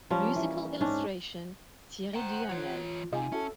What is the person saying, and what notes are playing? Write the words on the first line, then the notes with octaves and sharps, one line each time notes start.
Musical illustration: Thierry Duhamel.
F3 G3 A#3 C#4
E3
G#2 C#4 D4
C5 F#5 G5 A#5
E3 F4 C#5
C3 G#3 D#4 F4 G#5
C#4 E4 F#4 A4 A5